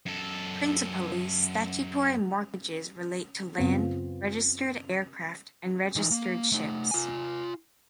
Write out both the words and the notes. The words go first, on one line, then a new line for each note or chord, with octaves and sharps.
Principally, statutory mortgages relate to land, registered aircraft and registered ships.
F#2 A4
F#2 C#3 B3 C4 F4
E3 D#4
A#3
A3 D#4
F4 G#5